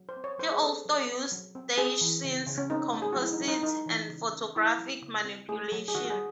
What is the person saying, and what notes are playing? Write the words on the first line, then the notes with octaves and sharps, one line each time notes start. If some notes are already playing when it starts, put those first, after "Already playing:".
He also used staged scenes, composites and photographic manipulation.
Already playing: F#3
C5
C4
C#5
F#3 C5
G#4
C4 A4
F#3
C4
F#3
C4
C4 G#4
E3
C#3
C#3
C#4
C4 D#4
A3
G#4
F#3 F#4
E4
D#4
F#3
D#4
G#3 D#4
E3
C#3
C#4
A3 E4
F#3
C#3
C4
A3 G#4
F#3
G#4
D#3 F#4
F#4
G#4